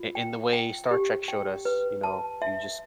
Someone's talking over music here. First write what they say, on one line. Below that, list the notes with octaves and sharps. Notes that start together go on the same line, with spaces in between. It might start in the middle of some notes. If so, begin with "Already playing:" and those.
i in the way Star Trek showed us, you know, you just,
Already playing: F4
G5
G5
G4
G5
B4
A5
E5